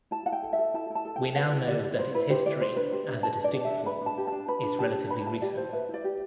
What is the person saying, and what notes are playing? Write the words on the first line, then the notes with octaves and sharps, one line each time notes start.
We now know that its history as a distinct form is relatively recent.
E4 A5
E4 F#5
G5
A4
E5
A4
E4 A5
E4
A5
A4
G5
A4
B4 F#5
E4
G4 D5
E4
B4 C5
E4 B4
G4 C5
E4 D5
B4 C5
D4 B4
G4 C5
D4 E5
B4 A5
D4
D5
G4
E5
D4
B4 B5
D4 A5
G4
D4 A5
B4 B5
D4
G4 A5
D4
B4 B5
E4 A5
G4 D5
E4 C5
B4 E5
E4
D5
G4